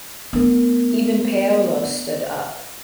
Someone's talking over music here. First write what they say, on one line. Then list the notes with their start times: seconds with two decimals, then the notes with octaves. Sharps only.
Even Paolo stood up.
0.33 A3 B3 D4 A#4